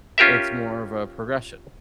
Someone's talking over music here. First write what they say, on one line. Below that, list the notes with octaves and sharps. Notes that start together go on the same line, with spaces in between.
It's more of a progression.
C#4 F4 G4 A#4 E5